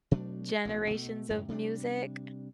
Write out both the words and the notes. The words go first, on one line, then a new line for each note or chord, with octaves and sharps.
generations of music.
B2 F#3 A3 D4
A1 B2 A3
B2 A3
F#2 A2 C#3
C3 G3 C#4 D4